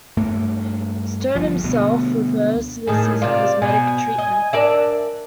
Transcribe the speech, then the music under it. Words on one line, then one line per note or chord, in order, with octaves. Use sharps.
Stern himself refers to this as a "cosmetic" treatment.
G2 A3 A#3
G1 F3
D2 B2
A2 D#3 G#4
C3 F4 D5
B2 G#5
D#5
D4 A#4 D5 E5